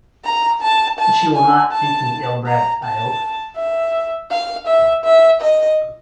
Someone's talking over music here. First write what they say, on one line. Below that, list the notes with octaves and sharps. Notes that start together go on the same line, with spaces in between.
She will not think me ill-bred, I hope?
A#5
A5
A5
G#5
A5
A#5
A5
E5
F5
E5
E5
D#5